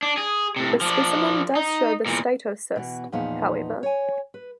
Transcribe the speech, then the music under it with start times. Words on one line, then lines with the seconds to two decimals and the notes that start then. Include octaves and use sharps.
The specimen does show the statocyst, however.
0.02 D4
0.17 G#4
0.56 A2 C3
0.81 F3 D4
1.55 D#4
2.06 E2 A#2
2.76 B2 E3 F#4
3.12 E2 A#2 F3 B3 D#4
3.83 C#5 G#5
4.34 B4